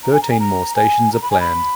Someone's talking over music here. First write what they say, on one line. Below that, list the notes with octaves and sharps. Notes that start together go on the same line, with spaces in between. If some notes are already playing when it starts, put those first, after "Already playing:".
Thirteen more stations are planned.
A#5
G#5
A#5
G#5
A#5
G#5
A#5
B5
G#5
B5